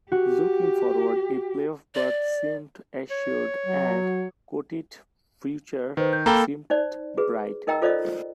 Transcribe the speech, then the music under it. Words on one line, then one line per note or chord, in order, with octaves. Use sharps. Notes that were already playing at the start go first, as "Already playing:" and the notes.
Looking forward, a playoff berth seemed assured and Kotite's future seemed bright.
F#4 G4
D5
C#5
F#3
D#3 B4 C5
G6
A#3 A4 G5 A#5 B5 G7
D#4 C5 D5
F#4 G#4 B4
D#4 A#4 D#5 G5 A#5 E6
F4 A4 C5 D5 D#5 F5